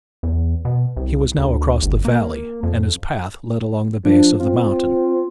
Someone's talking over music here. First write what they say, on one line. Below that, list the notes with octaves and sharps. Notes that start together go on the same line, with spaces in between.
He was now across the valley and his path led along the base of the mountain.
E2
B2
C2
D2
G1
A#3
F2
F3 D4
C4 F4